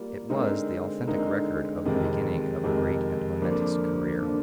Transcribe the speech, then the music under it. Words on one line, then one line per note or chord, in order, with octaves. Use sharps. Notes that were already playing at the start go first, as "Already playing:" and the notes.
It was the authentic record of the beginning of a great and momentous career.
Already playing: G3 A#3 F4
D3 G#3 C4 D#4 A#4
D3 G#3 C4 D#4 A#4
F2 C3 D#3 G#3
F2 C3 D#3 G#3
D3 F3 A#3 D4
D3 F3 A#3 D4